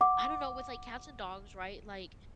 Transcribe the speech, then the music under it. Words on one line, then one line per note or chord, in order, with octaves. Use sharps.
I don't know with, like, cats and dogs, right, like,
F#5 D6